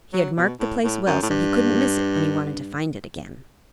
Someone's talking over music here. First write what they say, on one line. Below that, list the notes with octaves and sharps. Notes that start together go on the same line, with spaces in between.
He had marked the place well, so he couldn't miss it when he wanted to find it again.
F#3
B2
A2
A2
F#2
A2
G2